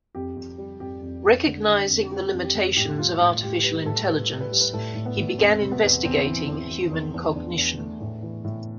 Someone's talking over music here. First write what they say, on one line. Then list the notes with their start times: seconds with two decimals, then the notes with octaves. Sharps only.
Recognizing the limitations of artificial intelligence, he began investigating human cognition.
0.15 F2 G4
0.37 F2
0.58 G3
0.80 F2 G4
1.02 F2
1.24 F2
1.46 D3
1.68 D3
1.89 F2
2.11 G3 G4
2.34 F2
2.44 G4
2.55 F2
2.77 A2 G4
2.99 G3 F4
3.20 A2 F4
3.42 A2 G4
3.64 G3 B4
3.86 A2 A4
4.07 G3 B4
4.30 G3
4.41 B4
4.51 G3
4.61 B4
4.73 A2 A4
4.95 A2
5.06 B3
5.17 A2
5.39 E2 C4
5.60 C3
5.72 B3
5.83 E2
6.04 E2 C4
6.26 E3
6.48 E2
6.70 E3
6.91 E2
7.14 E2
7.35 E2 D4
7.57 E2
7.79 A3
8.01 A2
8.23 E3
8.45 A2